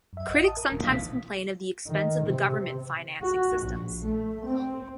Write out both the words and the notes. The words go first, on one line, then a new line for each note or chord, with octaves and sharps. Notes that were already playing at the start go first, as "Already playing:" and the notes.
Critics sometimes complain of the expense of the government financing systems.
F#2 E5
A1 D#5 F#5
A5 D#6
A#4
D#1
A#1 B2 E3 F5 D#6 B6
D#3
C3
F#4
A#1
A3
C4